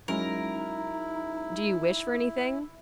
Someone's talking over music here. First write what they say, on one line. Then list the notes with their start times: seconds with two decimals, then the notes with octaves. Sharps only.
"Do you wish for anything?"
0.08 F#3 G#3 C#4 D#4 E4 A#4